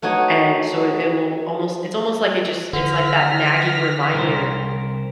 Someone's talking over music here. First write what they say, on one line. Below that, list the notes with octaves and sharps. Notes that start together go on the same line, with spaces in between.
and so it it will almost it's almost like it just it's like that nagging reminder
A3 D#4 F#4 C#5
D3 F6 A#6 B6
C2 A#4 C5